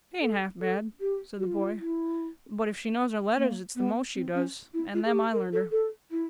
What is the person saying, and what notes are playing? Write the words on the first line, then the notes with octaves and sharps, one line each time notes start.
'She ain't half bad,' said the boy; 'but if she knows her letters it's the most she does--and them I learned her.'
A4
A4
G4
F#4
F4
E4
F4
E4
A#3
B3
C4
C#4
E4
F4
G#4
G4
A#4
A4
A4
E4